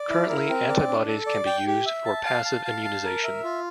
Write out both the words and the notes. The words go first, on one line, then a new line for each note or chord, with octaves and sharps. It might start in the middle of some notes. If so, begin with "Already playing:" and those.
Currently, antibodies can be used for passive immunization.
Already playing: D5
E4
A#4
C4
D5
D4
A4
D5
G5
G4
E5
A5
F5
A5
F5
A5
A#4
E5
F4